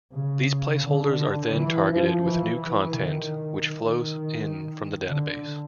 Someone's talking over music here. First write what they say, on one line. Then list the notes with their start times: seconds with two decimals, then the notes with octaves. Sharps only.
These placeholders are then targeted with new content which flows in from the database.
0.13 C#3
0.84 D3
1.55 E3
1.90 F3
2.25 E3
2.97 D#3
3.67 D#3
5.09 D3